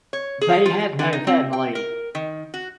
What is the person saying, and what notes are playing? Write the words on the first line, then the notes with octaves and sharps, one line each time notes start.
They had no family.
C#5
G#4
F4
D3
D#4
C4
G5
A#4
D#3
F#4